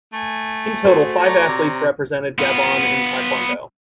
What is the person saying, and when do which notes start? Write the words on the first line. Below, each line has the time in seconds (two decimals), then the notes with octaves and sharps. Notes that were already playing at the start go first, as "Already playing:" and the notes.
In total five athletes represented Gabon in Taekwondo.
0.13 A3 G#5
0.85 F#4 G#4 A4 C5
1.17 C#5 D5 A#5
1.48 C3
2.39 B3 F4